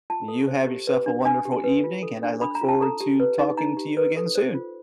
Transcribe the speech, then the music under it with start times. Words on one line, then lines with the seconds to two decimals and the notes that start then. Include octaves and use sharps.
You have yourself a wonderful evening, and I look forward to talking to you again soon.
0.10 F4 A5
0.28 A4
0.48 C5
0.67 G4
0.87 B4
1.06 D4
1.25 D4 G#5
1.45 G4
1.64 B4
1.84 F4
2.03 A4
2.23 D4
2.41 D4 B5
2.55 A#5
2.61 F4
2.69 A5
2.81 A4 A#5
3.01 G4
3.20 B4
3.38 D#4
3.57 D#4 A#5
3.77 G4
3.97 B4
4.17 A4
4.35 C5
4.55 F4